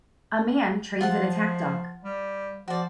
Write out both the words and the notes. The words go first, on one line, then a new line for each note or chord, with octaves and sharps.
A man trains an attack dog.
F3 F4 F#5 A5
G3
F3 F#4 D5